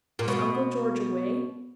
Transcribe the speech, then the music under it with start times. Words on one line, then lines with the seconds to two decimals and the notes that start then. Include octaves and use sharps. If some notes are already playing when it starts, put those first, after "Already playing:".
Was Uncle George away?
0.19 A#2
0.28 B2